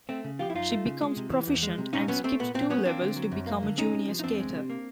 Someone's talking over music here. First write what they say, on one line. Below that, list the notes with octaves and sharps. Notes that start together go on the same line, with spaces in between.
She becomes proficient and skips two levels to become a junior skater.
A3 C4
C#3
F3 F4 G4
E4
F#2 D#4 F4
A3
C#3
G#3
C3
E3
E2
G#3
C3
A#2 C#4 D#4
F#3 B3 C#4
A3 C4
A#2 B3
A#2 C4
F#3 B3 C#4
A#3 C4 D4
D3
F#3
F#2
A#3
D3
G#3 C#4 D#4
C3
F3
D#4
E2 C4 D4
G#3
C3
A#3